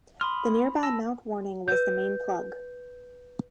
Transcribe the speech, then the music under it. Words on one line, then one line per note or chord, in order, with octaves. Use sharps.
The nearby Mount Warning was the main plug.
B5 C6 D#6 F6
A5 E6 A#6
B4 G6